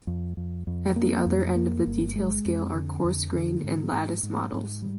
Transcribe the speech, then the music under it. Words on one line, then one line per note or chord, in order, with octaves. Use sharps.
At the other end of the detail scale are coarse-grained and lattice models.
F2
F2
F2
A#3
F2
A#3
G1
G#3
F2
D3
F2
D3
G#2
G#2
G#2
G#2
G3